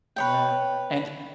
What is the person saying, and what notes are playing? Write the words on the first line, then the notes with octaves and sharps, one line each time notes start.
Yeah, and,
B4 C#5 G5